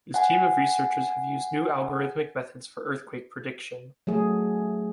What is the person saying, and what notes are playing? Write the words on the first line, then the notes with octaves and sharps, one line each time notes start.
His team of researchers have used new algorithmic methods for earthquake prediction.
F#5 G#5
F#3 A3 G#4